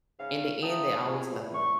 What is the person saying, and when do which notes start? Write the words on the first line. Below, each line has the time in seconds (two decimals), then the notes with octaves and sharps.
in the end, they always love me.
0.18 G#2 C#3 C#4 F5
0.61 E5 F5 G5 A5 A#5 D#6
1.07 F4 G#4
1.31 E2
1.54 A2 C3 E3 D4 C#6